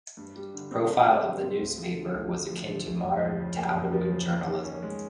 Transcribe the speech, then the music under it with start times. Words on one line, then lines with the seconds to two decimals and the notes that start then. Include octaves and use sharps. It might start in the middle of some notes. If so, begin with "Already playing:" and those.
The profile of the newspaper was akin to modern tabloid journalism.
0.17 G2
0.36 G3
0.54 D3
0.71 C4
0.89 G2
1.06 G3
1.25 D3
1.43 C4
1.61 D2
1.78 F3
1.97 D3
2.14 D2
2.32 D2
2.50 F3
2.68 D3
2.86 D2
3.03 F2
3.21 F3
3.39 C#3
3.57 A#3
3.75 F2
3.93 F3
4.11 C#3
4.29 A#3
4.46 D#3
4.64 C#4
4.82 G#3